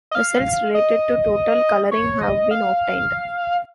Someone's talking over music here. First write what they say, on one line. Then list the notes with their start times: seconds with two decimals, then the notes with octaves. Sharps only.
Results related to total coloring have been obtained.
0.11 D#5
0.15 F5
0.75 D#5
1.91 C#5
2.21 D#5
2.51 F5